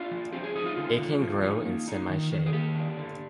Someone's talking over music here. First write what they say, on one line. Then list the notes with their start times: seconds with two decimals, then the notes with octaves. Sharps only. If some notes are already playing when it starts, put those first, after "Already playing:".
It can grow in semi-shade.
Already playing: D4 F4
0.11 F3
0.32 C4 G4
0.44 G#4
0.56 D#4 G#4
0.66 F4
0.76 D3 F4
0.99 D3
1.21 F3
1.43 D#4
1.65 A#3
1.88 D#4
2.10 D#3
2.32 D#3
2.46 G#4
2.53 A#3 G4
2.75 D4
2.97 D3